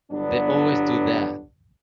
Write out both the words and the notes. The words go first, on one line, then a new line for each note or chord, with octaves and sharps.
They always do that.
G1 G2 F#3 B3 D4